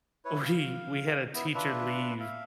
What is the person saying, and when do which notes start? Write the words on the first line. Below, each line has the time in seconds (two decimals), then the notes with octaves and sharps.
We we had a teacher leave,
0.25 E4 B4 C#5
0.46 F5
1.34 B3 E4
1.55 D4 F4 B4 E5
2.20 E5 F5